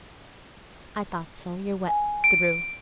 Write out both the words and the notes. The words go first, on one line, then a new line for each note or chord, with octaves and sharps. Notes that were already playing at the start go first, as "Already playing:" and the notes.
'I thought so; you're wet through.'
G#5
D7